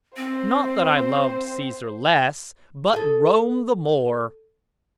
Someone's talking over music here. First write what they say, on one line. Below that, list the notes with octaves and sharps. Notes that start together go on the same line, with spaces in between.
Not that I loved Caesar less, but Rome the more.
C4 C5
G#4 A4